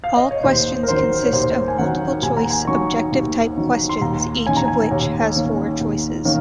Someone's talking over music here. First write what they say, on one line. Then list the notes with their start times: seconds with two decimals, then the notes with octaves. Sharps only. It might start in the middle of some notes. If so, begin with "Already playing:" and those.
All questions consists of multiple choice objective-type questions each of which has four choices.
0.04 F5
0.17 D#5
0.31 C#5
0.43 D#2 C5
0.83 A#4
0.88 D#3 F#3 C5
1.23 C#5
1.33 D#2 C5
1.68 G#5
1.78 D#3 F#3 F#5
2.22 D#2 G#5
2.37 A#5
2.50 G#5
2.67 D#3 F#3 C#6
3.12 D#2
3.57 D#3 F#3
3.89 C6
4.01 D#2 A#5
4.46 D#3 A#3 C#4 G#5
4.57 A#5
4.68 G#5
4.91 D#2 C#5
5.36 D#3 A#3 C#4
5.80 D#2
6.25 D#3 A#3 C#4